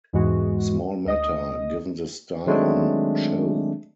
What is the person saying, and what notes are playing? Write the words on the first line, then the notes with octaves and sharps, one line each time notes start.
Small matter, given the style on show.
E2 G#2 E3 G#3 F#4
D2 D#5 D#6
D#3 F#3 G#3 A3 C4 D4